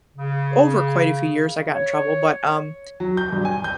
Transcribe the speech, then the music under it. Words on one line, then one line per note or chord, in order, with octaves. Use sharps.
over quite a few years, I got in trouble, but, um
C#3
C#5
F#3
G6
G2
G#5
G6